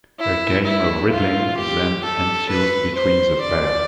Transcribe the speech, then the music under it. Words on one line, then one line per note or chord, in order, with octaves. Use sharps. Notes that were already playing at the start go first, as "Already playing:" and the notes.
A game of riddling then ensues between the pair.
E4
E4
F4
G4
A4
B4
C5
D5